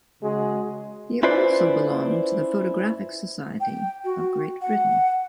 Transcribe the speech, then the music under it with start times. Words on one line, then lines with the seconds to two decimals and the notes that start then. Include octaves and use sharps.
He also belonged to the Photographic Society of Great Britain.
0.22 C#3 G#3 F#4 G#4
1.23 C#4 E4 F4 B4 C5 D5
3.60 G5
4.04 F#4
4.62 F#5